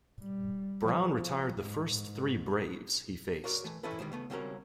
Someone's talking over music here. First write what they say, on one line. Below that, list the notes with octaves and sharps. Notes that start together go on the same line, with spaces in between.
Brown retired the first three Braves he faced.
G3
F3
F3
G#2
G#2
F#4 A#4 C#5 D5
E3 A3
E3 A3 C#4 E4 A4 B4
D#3 G3 G#3 C5
C#3 A3 B3
C#3 G3 C4 C#4 F#4 A#4